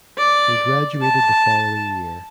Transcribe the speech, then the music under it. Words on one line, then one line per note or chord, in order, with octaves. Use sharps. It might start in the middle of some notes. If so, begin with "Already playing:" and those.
He graduated the following year.
D5
A5